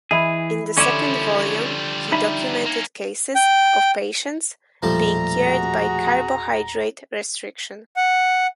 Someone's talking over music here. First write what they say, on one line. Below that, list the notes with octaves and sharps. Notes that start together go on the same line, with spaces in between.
In the second volume he documented cases of patients being cured by carbohydrate restriction.
E3 G#4 D#5 E5 B5
D3 F3 G3 C#4 E4 D5 C#6 D6
D#4 E5 B5
A#3 C#4
G5
E1 A#2 F3 G3 A3 A#5
F#4 G#4
F#5